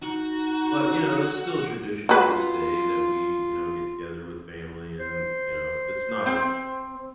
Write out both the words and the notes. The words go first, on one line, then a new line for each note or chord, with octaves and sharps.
But, you know, it's still a tradition to this day that we, you know, get together with family and, you know, it's not as
D#4 F#4
F4 F#4 B4
C5
C4